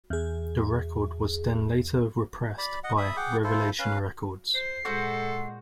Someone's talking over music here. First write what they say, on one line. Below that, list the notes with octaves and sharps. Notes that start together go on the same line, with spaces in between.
The record was then later repressed by Revelation Records.
E2 G#4
D5 B5
D#5 F#5
E5 B5 D#6
G#4 F#5 G5 D6
E4 F4 A4 C5
C#4 B4 F5
C5 C7
A#2 G#3 F#4 A4 C5 F#5